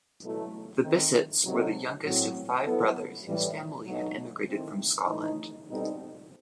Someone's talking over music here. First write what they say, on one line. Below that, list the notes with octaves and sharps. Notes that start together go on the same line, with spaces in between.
The Bisset's were the youngest of five brothers whose family had emigrated from Scotland.
B2 F#3 A3 E4 A4
D#3 A3 C4
C3 F#3 C4 D#4 A4
A2 F#3 C4
F#3 B3 E4 A4
A2 E3 G3
B2 F#3 A3 D#4
D#3 A3 C4 E4
A2 E3 A3 D#4
B2 G3 C4 D#4 A4